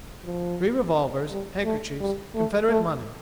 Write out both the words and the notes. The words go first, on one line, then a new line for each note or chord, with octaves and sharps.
Three revolvers, handkerchiefs, Confederate money....
F3
G3
A3
G3
A3
A3